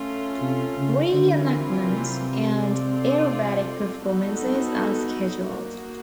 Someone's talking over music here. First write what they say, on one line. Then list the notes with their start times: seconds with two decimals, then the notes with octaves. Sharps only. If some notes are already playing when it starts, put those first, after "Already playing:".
Re-enactments and aerobatic performances are scheduled.
Already playing: A3 C#4 F4
0.41 C3
0.78 C#3
1.13 D3 E3 G3 C4 F4 A#4
1.86 C3
2.59 C4 F4 A4 D5
4.03 B3 D#4 F#4 A4
5.48 A#3 D#4 F#4